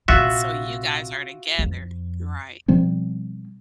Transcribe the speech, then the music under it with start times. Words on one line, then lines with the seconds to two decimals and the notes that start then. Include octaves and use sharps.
So you guys are together, right.
0.08 A#1 C3 F4 F#4 E5
1.59 F2
2.68 B2 F3 G3 C4